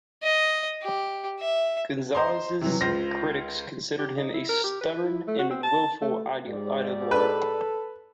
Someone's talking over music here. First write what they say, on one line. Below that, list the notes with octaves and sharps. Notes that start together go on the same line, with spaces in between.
Gonzalez's critics considered him a stubborn and willful ideologue.
D#5
G4
E5
C5 D#5 A#5 C6
C3 E3 F#3
C#2 F4 C5 A#6
G4
D#4
E4
A#4
G4
B4
E4
A3
F#4
C4
A5
A3
G#2 G4 D5
A4 B4